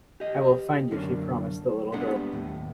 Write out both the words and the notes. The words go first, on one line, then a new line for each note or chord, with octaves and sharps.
"I will find you.", she promised the little girl.
G4 D#5
F#2 D3 A#3 C#4 D4
G3 G#3 A#3 B3 D4 F#5
D#2 A2